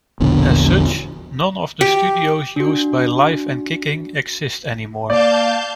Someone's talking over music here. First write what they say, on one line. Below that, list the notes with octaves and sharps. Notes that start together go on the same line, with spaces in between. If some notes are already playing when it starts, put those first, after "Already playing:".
As such, none of the studios used by "Live and Kicking" exist anymore.
E1 A#1 B2 D3
G4
D4 F#4
A#3 D5 F5 A5 G6